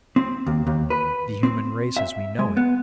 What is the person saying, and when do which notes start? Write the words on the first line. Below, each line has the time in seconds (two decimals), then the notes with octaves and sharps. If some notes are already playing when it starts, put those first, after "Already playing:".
The human race as we know it.
0.16 C4
0.47 D#2
0.67 D#2
0.90 B4
1.43 C4
1.97 E5
2.39 G#3
2.57 B3